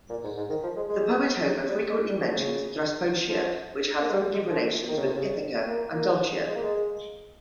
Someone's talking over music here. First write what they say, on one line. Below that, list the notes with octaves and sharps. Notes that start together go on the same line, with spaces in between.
The poet Homer frequently mentions Thesprotia which had friendly relations with Ithaca and Doulichi.
A#2
G#2
G#2
D#3
F3
G#3
G#3
G3
G#3
G3
F3
C#3
F3
A#3
G#3
G#3
F3
D#3
C#3
C3
C#3
A#3
A#3
G#3
A#3
G#3